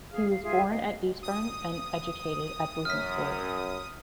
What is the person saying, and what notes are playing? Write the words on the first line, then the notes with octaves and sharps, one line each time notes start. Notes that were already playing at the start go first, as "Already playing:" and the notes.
He was born at Eastbourne and educated at Bootham School.
G#4 F5 F6
F5
F4 G#4 E5 F5
D#5 F5
D#6
F#2 F6 B6